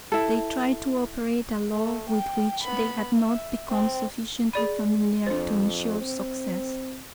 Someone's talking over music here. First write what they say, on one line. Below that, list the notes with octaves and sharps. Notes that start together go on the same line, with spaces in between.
They tried to operate a law with which they had not become sufficiently familiar to insure success.
E4 A4
A3
G5
B3 B5
E5
C4
G#4 D5 B5 D#7
F2 D4 C5
C4